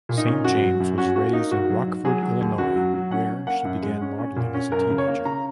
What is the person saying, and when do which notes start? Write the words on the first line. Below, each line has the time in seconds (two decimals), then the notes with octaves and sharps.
Saint James was raised in Rockford, Illinois, where she began modeling as a teenager.
0.09 A#2
0.17 D#4
0.26 C#4
0.44 F#2 F#4
0.62 F#3
0.80 F#2
0.98 C#4 F#4
1.16 A#3 F#4
1.33 A#3 D#4
1.51 G#2 F#4
1.70 F#3
1.87 G#2
2.05 F#3 G#4
2.23 F#3
2.41 D#2
2.58 F#2 F#4
2.76 F#3
2.94 F#3
3.11 C#4 F#5
3.30 C#4
3.47 A#3 F#5
3.65 F#2
3.83 G#3
4.01 C#4
4.18 C#4
4.36 A#2
4.54 C#4
4.72 F#2 A#4
4.90 C#3
4.98 C#5
5.07 A#3
5.25 C#3 A#5